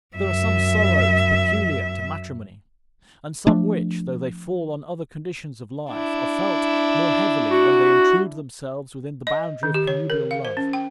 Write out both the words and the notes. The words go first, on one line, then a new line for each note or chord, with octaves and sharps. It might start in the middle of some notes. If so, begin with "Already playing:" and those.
There are some sorrows peculiar to matrimony; and some which, though they fall on other conditions of life, are felt more heavily when they intrude themselves within the boundary of connubial love.
F#2 E5
F3 A3 D4
D4 E4
F#4
D#5
D#3
G4
C#5
A#4
F5
C5
C#4
G5